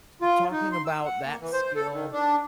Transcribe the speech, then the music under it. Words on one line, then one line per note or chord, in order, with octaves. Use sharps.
t talking about that skill,
F4
D#4
C6
E6
F#5
A#3
E3
C5
A4
D#3
D4